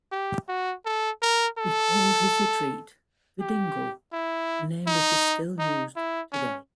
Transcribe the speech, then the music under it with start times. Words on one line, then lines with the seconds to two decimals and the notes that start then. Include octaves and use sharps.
He called his retreat The Dingle, the name that is still used today.
0.12 G4
0.48 F#4
0.86 A4
1.22 A#4
1.58 A4
3.41 G4
4.13 E4
4.87 D#4
5.59 D#4
5.96 E4
6.33 C#4